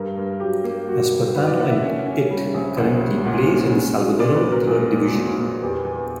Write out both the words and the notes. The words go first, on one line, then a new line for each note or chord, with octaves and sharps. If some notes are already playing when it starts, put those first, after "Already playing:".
Espartano and it currently plays in the Salvadoran Third Division.
Already playing: G2 A#4
G2
F#3 G4
A#3
F#3 F#4
G2
F#3 B4
D5
A#3 F#5
E5
C#4
C#4
G3
A#1
A#1 F#5
G3
A#2 F#5
C#4
C#4
F#3
A#2 D5
B4
F#3
A#4
A#1
A#2
A#2
A#2
E2 G4
E2